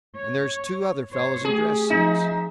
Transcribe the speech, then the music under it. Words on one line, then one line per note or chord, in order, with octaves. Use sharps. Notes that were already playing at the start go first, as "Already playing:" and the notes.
And there's two other fellows in dress suits.
C#5
C5 C#5
A3 G4 G#4
F3 D#4 E5